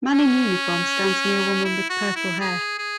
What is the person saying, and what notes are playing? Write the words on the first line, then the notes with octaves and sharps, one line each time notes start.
Man in uniform stands near woman with purple hair.
C#4
E4
F#4
E4
G#4
G#4